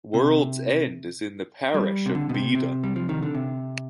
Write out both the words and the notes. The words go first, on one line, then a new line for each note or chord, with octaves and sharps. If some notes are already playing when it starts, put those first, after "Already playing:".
World's End is in the parish of Beedon.
C3
G3
C3
D3
B2
C3
C3
G3
F3
D#3
D3
C3